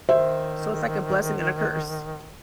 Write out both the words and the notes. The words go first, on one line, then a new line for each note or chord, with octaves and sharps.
So, it's like a blessing and a curse.
D#3 C5 E5